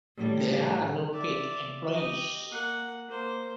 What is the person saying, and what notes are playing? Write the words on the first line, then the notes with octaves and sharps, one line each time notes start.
There are no paid employees.
A2 G3
D5 E5
G4 D#5
A#3 F#5
A#3 C5